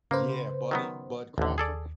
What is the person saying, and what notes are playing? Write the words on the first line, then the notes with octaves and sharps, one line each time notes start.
Yeah, Buddy Bud Crawford.
C#3 A#3 B4 C5
D#3 F#3 B3
A1 D#2 D3
G#4 A4 D5